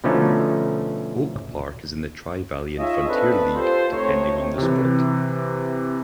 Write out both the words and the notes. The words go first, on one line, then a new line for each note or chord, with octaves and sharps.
Oak Park is in the Tri-Valley and Frontier League depending on the sport.
B2 D3 F3 A3 C#4 D#4
D#4 F4 G#4 C#5 D#5 E5
C4 D4 A4 B4
F4 G4 A4 C5
A3 C4 D#4 C#5
C3 E3